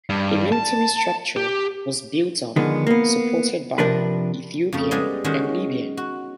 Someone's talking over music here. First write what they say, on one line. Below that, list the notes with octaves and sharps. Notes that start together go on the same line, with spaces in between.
A military structure was built up, supported by Ethiopia and Libya.
G2
A5
G4
D3 D#3 F3 G#3 B3
A#3 B3
C3 F3 D4 A#4 B4
F2 C#3 A3
G3 G#3 B3 G#4 D5
D#3 G#3 C#4 F#4
F#4